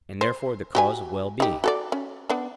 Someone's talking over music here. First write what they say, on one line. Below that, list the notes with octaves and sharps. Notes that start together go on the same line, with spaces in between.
And therefore the cause of well-being?
C5
F#4 G4 G#5
D#4 G4
F#4 A4 D5
C#4
B3 D4